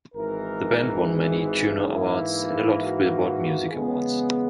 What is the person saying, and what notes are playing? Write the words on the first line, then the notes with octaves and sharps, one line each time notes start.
The band won many Juno Awards and a lot of Billboard Music Awards.
G#1 G#2 E3 A#4
G#4
G#2 E3 A#3 E4
F#4
E2 C#3 G#3 B3 G#4